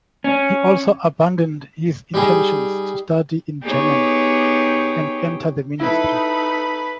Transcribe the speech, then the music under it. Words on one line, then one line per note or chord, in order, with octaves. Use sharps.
He also abandoned his intentions to study in Germany and enter the ministry.
C#4
G3 D#4 G4 G#4
B3 D#4 G4 G#4 C#5
D#4 E4 A4 B4 B5